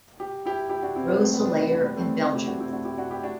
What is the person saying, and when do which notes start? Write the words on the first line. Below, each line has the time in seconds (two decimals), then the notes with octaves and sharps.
Roeselare in Belgium.
0.20 G4
0.46 E4 G4
0.70 E4 G4
0.82 D4 F#4
0.95 C4 E4
1.08 B3 D4
1.21 A3 C4
1.33 G3 B3
1.45 B3 D4
1.58 D4 F#4
1.71 B3 D4
1.84 G3 B3
1.96 A3 C4
2.22 A3 C4
2.34 E4 G4
2.47 D4 F#4
2.60 C4 E4
2.72 D4 F#4
2.85 E4 G4
2.98 D4 F#4
3.10 E4 G4
3.24 D4 F#4